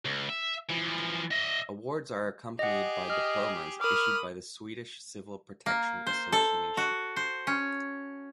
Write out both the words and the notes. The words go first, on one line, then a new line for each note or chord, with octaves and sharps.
Awards are accompanied by diplomas issued by the Swedish Civil Protection Association.
C#2
E5
E3 F3
D#5 E5
G4 G#4 D#5 F#5
D#5 F6
A#4 B5 D6 D#6 F6
A#3
C5
A4
F#4
C5
C#4